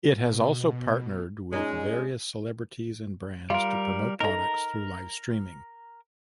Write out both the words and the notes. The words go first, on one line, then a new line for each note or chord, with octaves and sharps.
It has also partnered with various celebrities and brands to promote products through livestreaming.
B2
A#2 G#3 C#4 D#4
G3 F4 A#4
D#4 A4 A#4 A#5